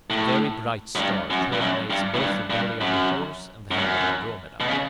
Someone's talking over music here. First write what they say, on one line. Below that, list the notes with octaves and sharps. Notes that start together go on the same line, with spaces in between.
A very bright star terminates both the belly of the Horse and the head of Andromeda.
A2
F#2
G2
F#2
G2
F#2
G2
A2
G2
G2
F#2
F#2
G2
F#2
B2
C#3